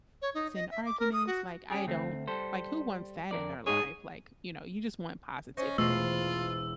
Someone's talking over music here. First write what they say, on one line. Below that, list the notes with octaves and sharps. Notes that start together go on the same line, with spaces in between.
s and arguments." Like, I don't like, who wants that in their life? Like, you know, you just want positivity
C#5
D#4
D#5
E5
D6
A#4
D#6
F#4
C#4 G4 G#4
D2 A3 C4
G3 A4 C5
F2 A#4 D5
G#2 D#4 G#4 C#5
C#4 C5 D#5 C#6
E1 A3 F4 B5 E6 C7